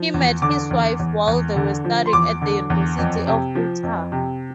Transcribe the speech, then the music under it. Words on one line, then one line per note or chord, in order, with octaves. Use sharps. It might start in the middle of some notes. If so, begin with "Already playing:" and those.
He met his wife while they were studying at the University of Utah.
Already playing: F3
E2
D3 D6
E2
E2
E2
D3
F3
C6
E2 D6
D3
E2
F2
C3
F3
F2
C3